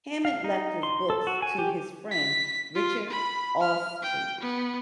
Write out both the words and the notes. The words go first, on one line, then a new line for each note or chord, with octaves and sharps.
Hammond left his books to his friend Richard Allestree.
F5
D#4
C6
A4
F#4
G#5
G4
B6
F4
B5
F6
G5
B3